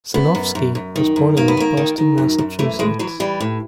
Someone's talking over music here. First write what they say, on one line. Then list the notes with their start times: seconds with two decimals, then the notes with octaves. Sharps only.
Sinofsky was born in Boston, Massachusetts.
0.14 F#2 B3
0.35 F#2
0.55 F#2
0.75 F#2
0.96 D#3
1.16 F#2
1.37 D#3 A#3
1.48 B3
1.57 D#3 A#3
1.77 D#3
1.98 D#3
2.18 F#2
2.38 F#2
2.59 E3 A3
2.79 A2 G#3
2.99 E3 F#3
3.20 E3 G3
3.40 A2